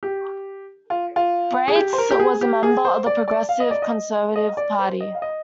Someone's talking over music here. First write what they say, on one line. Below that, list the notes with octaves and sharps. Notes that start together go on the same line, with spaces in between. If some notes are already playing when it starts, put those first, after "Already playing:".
Baetz was a member of the Progressive Conservative Party.
G4
F4
F4
G#4
G4
C5
A#4
G4
G#4
G4
G#4
C5
D5
D5
F5
D#5
D5
D#5
D#5
D5
C5
D#5
F5
D#5